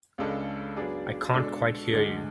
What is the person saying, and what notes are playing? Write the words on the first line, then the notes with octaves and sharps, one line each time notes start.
I can't quite hear you.
C#2 C#3 G#3 D4 A4
F#3 B3 D4 G#4 D5
B2 G#3 D4 A4
D2 D3 G#3